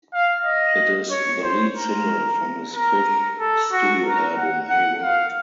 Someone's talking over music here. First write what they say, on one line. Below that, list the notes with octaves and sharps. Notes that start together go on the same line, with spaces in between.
It is the lead single from his fifth studio album "Hey World".
F5
D#5
C#5
C5
A#4
A#4
A4
F#4
A#4
F#5
F#5
F5